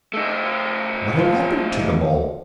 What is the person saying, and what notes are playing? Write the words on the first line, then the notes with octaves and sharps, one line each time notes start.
What had happened to them all?
A3 D#4
F3